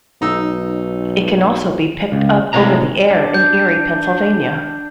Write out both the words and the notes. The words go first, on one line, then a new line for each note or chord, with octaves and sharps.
It can also be picked up over-the-air in Erie, Pennsylvania.
B1 D#4 E6
C#2
A2 C3 G#3 A#5
D4
G6